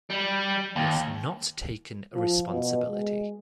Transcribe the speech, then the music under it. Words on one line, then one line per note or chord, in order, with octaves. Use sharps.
He has not taken responsibility.
G3
D#2
F3
B2
G#3